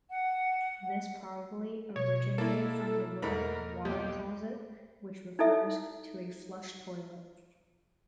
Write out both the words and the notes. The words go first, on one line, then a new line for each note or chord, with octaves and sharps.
This probably originated from the word "water closet", which refers to a flush toilet.
F#5
B2 C#5
A#3 E4 A4
E2 G#2 A3 A#4 B5
B1 G4
D#4 E4 A4 E5